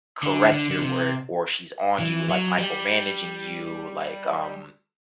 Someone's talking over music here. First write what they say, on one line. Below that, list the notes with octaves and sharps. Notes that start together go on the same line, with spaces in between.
correct your work or she's on you, like, micromanaging you? Like, um
D3
D3
D3
C3
E3
F#3
G3